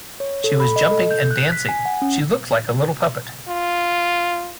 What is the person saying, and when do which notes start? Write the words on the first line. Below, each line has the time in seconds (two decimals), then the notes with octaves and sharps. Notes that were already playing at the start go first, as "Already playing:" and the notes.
She was jumping and dancing; she looked like a little puppet.
0.20 C#5
0.44 A4
0.60 B5
0.76 D#5
0.91 A4
1.11 G6
1.31 F#6
1.52 B6
1.69 G#5
1.85 F#5
2.02 C#4
3.48 F4